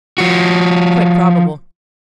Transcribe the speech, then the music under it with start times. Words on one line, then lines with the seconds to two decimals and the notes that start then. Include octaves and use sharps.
"Quite probable."
0.18 F3 F#4